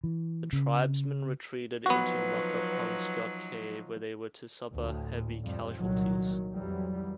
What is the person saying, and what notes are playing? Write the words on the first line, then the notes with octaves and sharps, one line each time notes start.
The tribesmen retreated into Makapansgat cave, where they were to suffer heavy casualties.
E3
C#3
F3 F#3 B3 D#4 F#4 B4
D2 A2
F2 G3
C2 A#2 D#3 F#3
F2 E3 F#3 G3